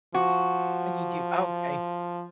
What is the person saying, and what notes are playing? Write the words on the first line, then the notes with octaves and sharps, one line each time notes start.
Oh, you do? Okay.
F3 F#4